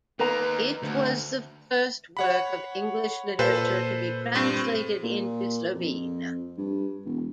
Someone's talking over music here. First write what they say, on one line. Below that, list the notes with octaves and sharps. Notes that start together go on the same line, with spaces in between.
It was the first work of English literature to be translated into Slovene.
D#3 A#3 B4 A#5
D2 C5
C#5 F#5 B5
A#2 A4 B4 C5
G2 C4
A#2
F2
G2
E1